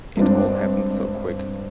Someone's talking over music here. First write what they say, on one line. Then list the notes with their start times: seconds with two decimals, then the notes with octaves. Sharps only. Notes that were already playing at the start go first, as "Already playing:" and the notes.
It all happened so quick.
0.17 G2 G#3 C4 D4